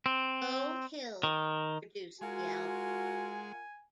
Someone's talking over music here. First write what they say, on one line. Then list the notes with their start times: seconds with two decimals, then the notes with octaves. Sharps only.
Beau Hill produced the album.
0.06 C4
1.23 D#3
2.21 G#3 F4 F#4 A#4 F#5 G#5